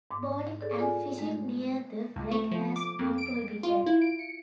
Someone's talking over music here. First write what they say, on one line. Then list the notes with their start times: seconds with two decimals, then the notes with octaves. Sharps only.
Boating and fishing near the wreck has been prohibited.
0.11 G#2 D6
0.61 G#4 A4 B4 C#5 D5
0.76 F4 A4 D5 G#5
1.18 G#3 A3
2.16 C#2
2.31 A3
2.51 F3
2.76 D6
2.99 F2
3.18 D7
3.63 F4
3.86 E4
4.01 D7
4.19 C#7